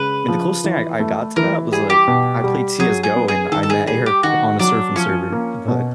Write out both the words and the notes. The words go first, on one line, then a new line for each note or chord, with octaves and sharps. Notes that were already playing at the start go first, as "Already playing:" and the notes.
mean, the coolest thing I I got to that was, like, I played CS:GO and I met Eric on a surfing server, but
Already playing: C#3 G#3 B4
F3
E3
A3
E3 A#4
G3 G#4
G4
B2
G3
F#3 G#4
G#4
B3
G#4
D#3 A4
A4
G#4
G3 G#4
G4
D#3 F#4
F#3 D4
F3 C#4
A#3
B2